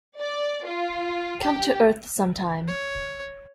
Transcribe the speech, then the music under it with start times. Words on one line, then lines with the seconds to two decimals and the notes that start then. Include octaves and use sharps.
Come to Earth sometime.
0.20 D5
0.67 F4
1.43 G4
2.68 C#5